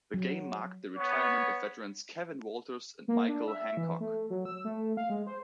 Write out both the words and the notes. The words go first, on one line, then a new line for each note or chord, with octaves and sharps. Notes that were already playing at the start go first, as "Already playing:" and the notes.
The game marked the retirement of veterans Kevin Walters and Michael Hancock.
F#3
B3 C#5
A#3
D4
E5
E3
A3
F#3
E6
A3
F5
G#3
C5